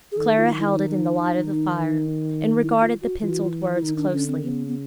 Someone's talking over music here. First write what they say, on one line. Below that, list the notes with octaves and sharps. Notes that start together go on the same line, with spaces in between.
Clara held it in the light of the fire, and regarded the pencilled words closely.
G#4
D#3 A4
F4
E4
E4
D#4
D#3
E4
F4
F#4
E3 F4
F#4
F4
E4
D#3 D#4
D4
D3 C#4
C4
C#3 B3
B3